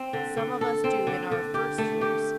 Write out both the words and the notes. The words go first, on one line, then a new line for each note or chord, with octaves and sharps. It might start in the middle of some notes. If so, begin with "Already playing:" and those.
'Some of us do in our first years.
Already playing: C4
D3
D3
A4
C4
D3
D3
G4
A3
G4